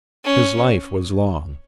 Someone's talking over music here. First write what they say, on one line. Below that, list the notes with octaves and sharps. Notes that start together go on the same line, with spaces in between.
His life was long.
C#4